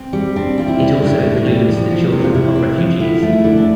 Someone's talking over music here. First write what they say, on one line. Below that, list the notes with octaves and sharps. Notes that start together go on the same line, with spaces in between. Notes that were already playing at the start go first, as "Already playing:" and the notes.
It also includes the children of refugees.
Already playing: C4
G3
C4 D4
C4 F4
E4
G3
E4
A2 D4
A2
G3
F3
F3
C3
F4
C3 E4
C4
F3
D3 E4
A3
E4
D3
D4